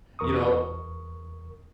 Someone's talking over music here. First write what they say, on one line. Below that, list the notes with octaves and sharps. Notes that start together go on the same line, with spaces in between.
You know
E2 A#4 C#6 D#6